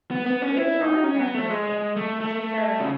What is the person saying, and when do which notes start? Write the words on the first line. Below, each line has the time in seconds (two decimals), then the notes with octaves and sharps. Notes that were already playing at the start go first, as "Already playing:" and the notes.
you really aren't that person. You just are
0.11 B3
0.26 B3
0.42 C#4
0.57 E4
0.81 D#4
1.04 C#4
1.19 B3
1.35 A3
1.50 G#3
1.96 A3
2.21 A3
2.80 C#3